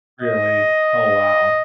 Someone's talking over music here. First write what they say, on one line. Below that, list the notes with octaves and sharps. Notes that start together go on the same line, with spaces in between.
Really? Oh, wow.
D#5